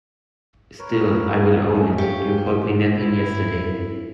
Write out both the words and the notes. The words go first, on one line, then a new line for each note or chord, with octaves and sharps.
Still, I will own it, you caught me napping yesterday.
A#4 B4 C#5
C#4 A4 E5
A#3 G4 C#5
E4